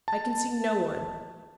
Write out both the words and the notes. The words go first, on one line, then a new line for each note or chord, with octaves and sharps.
I can see no one.
A5